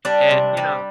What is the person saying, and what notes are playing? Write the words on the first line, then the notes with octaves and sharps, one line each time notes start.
and, you know
G3 D4
C3
G3